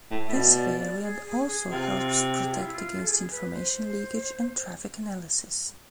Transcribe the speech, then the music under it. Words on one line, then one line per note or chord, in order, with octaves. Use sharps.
This variant also helps protect against information leakage and traffic analysis.
A2
A2 E5
B2 D5
D5
D5
G#4
G#4
G#4
C3 F4
G#4
F4
E4
F4
A4
G#4
B4
C5